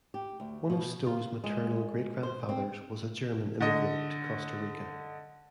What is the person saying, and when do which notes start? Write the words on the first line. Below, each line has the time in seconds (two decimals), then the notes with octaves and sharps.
One of Stowe's maternal great-grandfathers was a German immigrant to Costa Rica.
0.14 G4
0.40 D2
0.70 B2
1.06 F4
1.44 G#3
2.23 C5
2.49 C4
3.60 D3 D#5